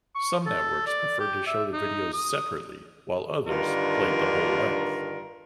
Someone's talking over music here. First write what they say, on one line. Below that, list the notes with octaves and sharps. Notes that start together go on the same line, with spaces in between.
Some networks preferred to show the videos separately while others played the whole length.
C#6
A4
D5
G4
E5
D#4
D#6
G2 D3 D#3 F4 A#4